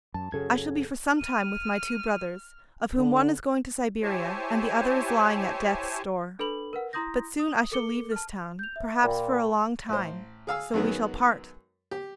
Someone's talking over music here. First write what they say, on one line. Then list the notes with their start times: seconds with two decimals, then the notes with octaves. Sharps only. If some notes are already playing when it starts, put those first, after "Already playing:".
I shall be for some time with my two brothers, of whom one is going to Siberia and the other is lying at death's door. But soon I shall leave this town, perhaps for a long time, so we shall part.
0.14 F#2 A5
0.32 F#2 C#3 F#3 G#4 A4 G#6
1.19 F6 D#7
2.96 D3
4.03 E4 G4 C5 C#5 G#5 A5
6.39 D4 A4 B4 B5 F#7
6.73 A#4 B4 F#5
6.93 E4 A#5 C6 D#6 G6 A#6
7.39 D#6
7.72 A4 A#4 D6 C#7 G7
8.12 A5 F6
8.59 G6 F7
8.76 E5
9.03 A#2 A#4 G5 B5
9.89 A1 C5
10.47 G#4 F5 E6
10.74 F#2 D#3 F#3 G#3 B3
11.91 G4